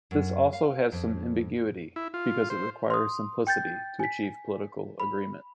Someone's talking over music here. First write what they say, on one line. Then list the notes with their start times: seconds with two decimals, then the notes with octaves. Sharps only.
This also has some ambiguity, because it requires simplicity to achieve political agreement.
0.11 F#2
0.53 F5
0.92 F2
1.96 E4
2.14 F4
2.50 C5
2.90 C6 D#6
3.47 G5 G6 A6
4.00 G#5 B6
5.00 B5